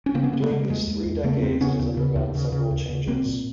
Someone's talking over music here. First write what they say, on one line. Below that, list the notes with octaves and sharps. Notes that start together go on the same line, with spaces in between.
During these three decades it has undergone several changes.
C#4
C#3 A#3 C4
B3 C#4
C#3 A#3 C4
A3 B3
C#3 G#3 A#3
E2 G#3 A#3
E2
E2
C#3 A3 B3
C#4
E2 A#3 C4
C#3 B3 C#4
D#2
C#3
D#2
C#3
C#3
D#2
C#3
C2 A#3 C4
A#2